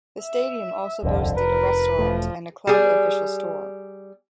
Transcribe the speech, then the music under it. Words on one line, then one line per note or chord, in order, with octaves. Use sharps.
The stadium also boasted a restaurant and a club official store.
E5
D#1 C2 F2 D3
F1 A#4 B4
E1 F3 A3
G3 G#4